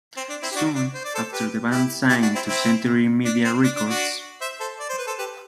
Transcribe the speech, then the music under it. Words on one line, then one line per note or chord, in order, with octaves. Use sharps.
Soon after the band signed to Century Media Records.
C4
D4
C4 E4
G4
D4 F#4
D4
C5
D5
A4 C5
G4 B4
E4 G4
E4 G4
D4 F#4
C4 E4
C4 E4
D4
C4
D4
D4
D4 F#4
C5 E5
A4 C5
D5
C5
B4
A4 C5
G4 B4